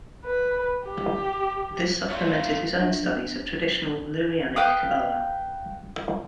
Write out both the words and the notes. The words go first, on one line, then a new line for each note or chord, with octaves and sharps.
This supplemented his own studies of traditional Lurianic Kabbalah.
B4
G4
A3 F4 C#5 E5
D4 E5
B4 F5 G5 D#6